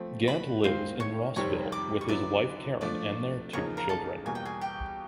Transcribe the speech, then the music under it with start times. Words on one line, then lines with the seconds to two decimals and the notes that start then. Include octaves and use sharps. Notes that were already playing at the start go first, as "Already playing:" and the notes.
Gant lives in Rossville with his wife Karen and their two children.
Already playing: F3 A3 C4
0.28 B4 B5
0.64 G#2 D#3 G#3 C4 F4 C5 C6
1.00 C#5 C#6
1.36 F2 C3 D#3 G3 C4 C#5 C#6
1.72 D5 D6
2.01 C#6
2.08 D3 F#3 B3 E4 D5 D6
2.81 F3 A3 D4 D5 D6
3.53 E2 C#3 F3 A#3 D#4 C#5 C#6
3.77 A#4 A#5
3.89 A4 A5
4.25 E2 B2 G3 A#3 G#5
4.35 G5
4.45 G#4 G#5
4.61 G4 G5